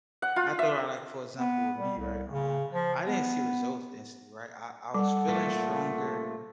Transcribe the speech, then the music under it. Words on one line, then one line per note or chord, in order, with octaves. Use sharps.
After I, like, for example, with me, right, um, I didn't see results instantly, right? I I was feeling stronger,
F#5
F4
E5
B3
G3
C2
C#3
F3
B3
G3 A4 F#5
A#2 A3